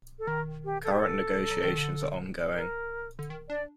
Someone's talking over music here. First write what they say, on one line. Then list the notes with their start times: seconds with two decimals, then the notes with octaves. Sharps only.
Current negotiations are ongoing.
0.19 A4
0.27 D#3 A#4
0.65 G4
0.84 A4
0.91 G4
0.99 A4
1.50 F#3
1.64 D#3
1.78 D3
2.54 A#4
3.19 D3
3.30 D#3
3.49 D4 D5